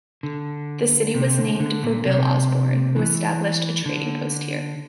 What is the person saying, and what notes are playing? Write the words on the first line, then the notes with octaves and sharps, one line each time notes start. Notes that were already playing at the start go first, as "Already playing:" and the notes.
The city was named for Bill Osborne, who established a trading post here.
D3
C3
D3
D3
A#2
C3
E3
D3